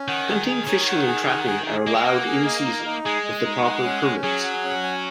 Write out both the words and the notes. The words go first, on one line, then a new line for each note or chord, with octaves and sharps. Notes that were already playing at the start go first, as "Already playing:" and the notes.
Hunting, fishing and trapping are allowed in-season with the proper permits.
Already playing: C#4
D#3 F#5
G#4
G#4
D#3 C#5
F#5
G#4
F#5
G#4
G#4
A#3 D#5
G#3
A#3 F#5
G#4
D#5
D#4
D#4
G#3 G#4
D#5
D#4
F#5
C#4
C#4
F#3 G#4
F#5
C#4
G#5